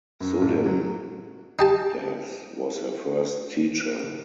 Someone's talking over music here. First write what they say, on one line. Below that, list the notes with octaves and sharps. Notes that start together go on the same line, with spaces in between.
Sudhin Das was her first teacher.
F#2
A1
F#3
D#4 G4 A5